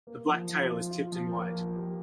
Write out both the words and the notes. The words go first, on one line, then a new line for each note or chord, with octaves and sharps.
The black tail is tipped in white.
A#3
F3
F3
F4
F4
F3
A#3
F3
G4